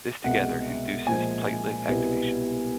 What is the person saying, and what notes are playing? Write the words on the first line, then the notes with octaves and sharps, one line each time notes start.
This together induces platelet activation.
C2 B2 G#3 F#5
A#2 F3 G#3 G#5
C2 B2 G3 B3 E4